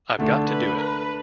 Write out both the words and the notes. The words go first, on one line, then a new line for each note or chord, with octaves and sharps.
I've got to do it.
D3 A3 D4 A4
B4
B4